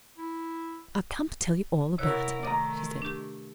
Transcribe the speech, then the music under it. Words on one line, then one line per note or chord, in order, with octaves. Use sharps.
"I've come to tell you all about it," she said.
E4
C3 E4 F#4 A#4 C#5 F#6
D#3 A3 D5 D#5 A#5
D4 G4